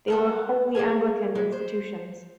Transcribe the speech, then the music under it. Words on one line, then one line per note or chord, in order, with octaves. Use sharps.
They were wholly Anglican institutions.
F#4 A4 A#4
A#3 E4 G#4 G#5
G#3 E4
C5